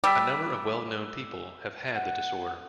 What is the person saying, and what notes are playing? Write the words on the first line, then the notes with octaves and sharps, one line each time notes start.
A number of well-known people have had the disorder.
G3 D6 E6 B6
F#5